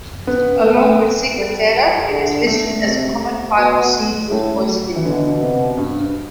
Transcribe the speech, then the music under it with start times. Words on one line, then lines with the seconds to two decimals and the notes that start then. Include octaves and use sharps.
Along with ciguatera, it is listed as a common type of seafood poisoning.
0.27 B3
0.64 A3
1.37 G3
2.10 D3
2.47 A3
2.83 C3 A3
3.58 B2
4.31 A2 A3
4.67 F#3
4.96 E3
5.05 B2 D3
5.41 C3
5.77 G2